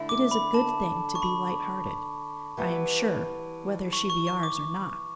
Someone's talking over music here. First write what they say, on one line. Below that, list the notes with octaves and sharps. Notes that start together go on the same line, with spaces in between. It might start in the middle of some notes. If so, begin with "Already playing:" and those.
"It is a good thing to be light-hearted, I am sure, whether she be ours or not."
Already playing: D3 A3 E4
D6
B5
A5
C#6
B5
E3 G3 B3
C#6
C#6
C#6
D6